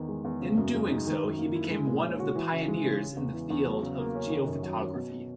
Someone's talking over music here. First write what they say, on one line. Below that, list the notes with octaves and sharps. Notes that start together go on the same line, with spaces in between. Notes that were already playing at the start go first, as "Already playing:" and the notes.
In so doing, he became one of the pioneers in the field of geophotography.
Already playing: E2 D#3
G#3
E2
C#3
F#2
G#3
D#4
D#3
F#2
A#3
E4
G#3
A#2
C#4
F#4
E3
C#3
G#3
C#3
C#3
E2
E3
E2
F#3
C#3
A#3
C#4
D#3
F#2
F#3
C#4
B2